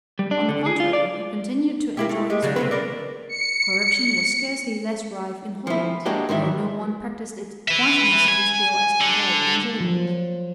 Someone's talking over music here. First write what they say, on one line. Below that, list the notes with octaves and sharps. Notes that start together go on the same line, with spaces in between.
On the contrary, he continued to enjoy his favour. Corruption was scarcely less rife in Holland, though no one practised it quite on the same scale as Odijk in Zeeland.
G3
D4
D3
G#4
F4
D5
A#3 E4 G4
A3
G#3 G4
C#3 F#3 D4
C3 C4 B4
C#4 A#4 D5
C#7
F3 E4
G#3 A#3 D4 F#4 G4
G#2 D#3 E3 E5
B4 E5
G#5
D3
F3 F#3